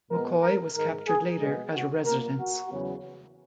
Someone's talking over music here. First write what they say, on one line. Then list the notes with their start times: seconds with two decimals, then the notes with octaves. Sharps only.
McCoy was captured later at a residence.
0.10 A#2 G#3 B3 A#4
0.43 A#4
0.75 G#2 D#3 G#3 A#4
1.08 G#4
1.40 B2 G#3 B3 G#4
1.73 F#4
2.05 A#2 A#3 A#4
2.38 F#4
2.69 E2 C#3 F#3 B3